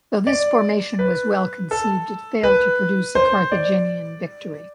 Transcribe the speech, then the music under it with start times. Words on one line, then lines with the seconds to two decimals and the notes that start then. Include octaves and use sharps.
Though this formation was well-conceived, it failed to produce a Carthaginian victory.
0.27 D5
0.99 B4
1.71 A4
2.43 B4
3.15 C5
3.52 D5